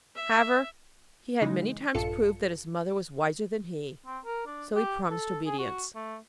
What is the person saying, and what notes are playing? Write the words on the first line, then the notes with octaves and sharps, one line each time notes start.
However, he had many times proved that his mother was wiser than he, so he promised obedience.
E5
C#3 E3 G#3 D#4
A#1 G2 F4 A4 C#7
C4
A#4
D4
G4
A4
G#4
F#4
A3